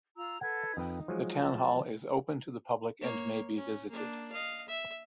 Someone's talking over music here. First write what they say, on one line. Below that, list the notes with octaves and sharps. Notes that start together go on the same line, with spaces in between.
The Town Hall is open to the public and may be visited.
F4 A#5 E6
A4 B4 F#5 G#6
F2 D#4 B4 G5
F3 F#3 G#3
A5
A#3 C#5
C#4
A#3 D4
D#5 F5
E5